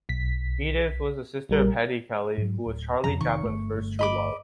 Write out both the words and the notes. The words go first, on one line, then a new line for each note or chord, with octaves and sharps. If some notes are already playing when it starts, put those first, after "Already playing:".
Edith was the sister of Hetty Kelly, who was Charlie Chaplin's first true love.
B1 B6
A#1 G3 A#4
G#2 F#3
D1
F2 C3 F3 A#5
F1 C3 D#3 C#6
G1 D#2 A3
D#5 B5 D6